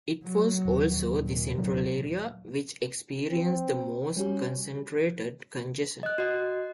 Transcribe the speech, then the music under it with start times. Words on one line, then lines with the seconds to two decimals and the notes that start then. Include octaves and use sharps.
It was also the central area which experienced the most concentrated congestion.
0.24 F#3
0.65 D#1 D#2
1.18 A#2
1.58 D#1 F#3
3.30 C4
4.17 G3 C#4 F#4 G4
6.03 D#5 F#6
6.18 F#4 D#5